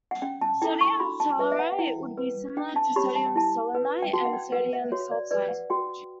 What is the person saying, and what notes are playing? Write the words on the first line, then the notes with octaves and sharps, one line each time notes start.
Sodium tellurite would be similar to sodium selenite and sodium sulfite.
F#5
C#4 G5
A5
E4 A4 G5
C#6
F#4 B5
A5
B4 E5
E5
F#5
F#5
E4 G5
B4
D4 G5
A5
G4 C#5 B5
A5
G5
E4 A5
B4
G5
F#4 A5
F#5
G5
B4 F#5
E5
F#4 C#5
D5
B4 D5
F#5
F#4 G5